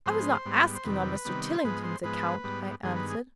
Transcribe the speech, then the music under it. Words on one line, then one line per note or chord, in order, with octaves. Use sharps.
'I was not asking on Mr. Tillington's account,' I answered.
G#2 F3 G#3 B3 C5
G#2 G3 B3
C5
F2 C3 D#3 G3 B4
C3 D#3 G3 B3
C5
G#2 F3 G#3 B3 B4
C5
G#2 F3 G#3 B3 B4
G#2 G3 B3
G2 D#3 G#3 B3 G#4
B4
G#4